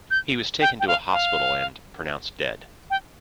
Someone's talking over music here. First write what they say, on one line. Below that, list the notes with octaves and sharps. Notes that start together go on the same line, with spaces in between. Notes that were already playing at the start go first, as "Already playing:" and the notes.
He was taken to a hospital and pronounced dead.
G6
G5
G5
F5
F5
G5